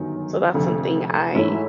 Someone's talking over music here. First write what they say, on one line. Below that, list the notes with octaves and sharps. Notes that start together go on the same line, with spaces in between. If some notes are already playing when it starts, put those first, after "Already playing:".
So that's something I
Already playing: G1 F#2 D#3
F1 F2 D3
G#2 E3 A3 C#4 E4